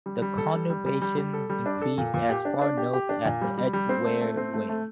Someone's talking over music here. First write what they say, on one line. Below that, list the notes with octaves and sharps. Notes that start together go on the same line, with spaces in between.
The conurbation increased as far north as the Edgware Way.
G3
G3
A4
G3
G3
G3
G3
G3
A4
G3
D4
A4
A#2
A#2
G4
D4
D4
G4
G4
D4
A#2
G3
G3
G3
C4
A3
A3
C4
A3
A3